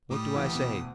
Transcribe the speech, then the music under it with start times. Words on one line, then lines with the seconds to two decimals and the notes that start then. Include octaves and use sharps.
What do I say?
0.11 A2 G3 D#6
0.35 D2 E3
0.55 B2